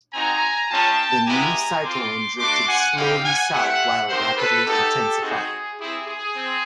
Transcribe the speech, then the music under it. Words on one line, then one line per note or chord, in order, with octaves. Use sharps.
The new cyclone drifted slowly south while rapidly intensifying.
C4 D#4 F#4 G#5 A#5
G#3 C#4 F4 G5 A5
G#3 B3 E4 G4 G#5 A#5
C4 F4 C6 D6
A3 D4 F#4 C6 D6
F#5 G#5
G3 C4 D#4 G4 F5 G5
F#5 G#5
A3 C4 E4 G4 E5 F#5
G#3 C4 D#4 G4 A#4 C5
A4 B4
B3 D#4 F#4 G4 A4
C4 D#4 F#4 G#4
C4 E4 G4 G#4
G#4
C4